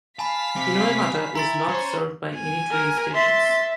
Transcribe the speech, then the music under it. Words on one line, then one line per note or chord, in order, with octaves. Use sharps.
Hinoemata is not served by any train stations.
F5 G#5 A5 B5 B6
C4 G4
E4 A#5 C6 A6
C#4 C5 C#5
G#5
A#4
E5 C6 A6